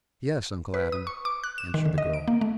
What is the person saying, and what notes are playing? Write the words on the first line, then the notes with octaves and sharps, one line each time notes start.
"Yes, Uncle Adam," answered the girl.
B4
D#6
C#6
D6
F#6
E7
D#3
D3
D#5
D7
A#3
A3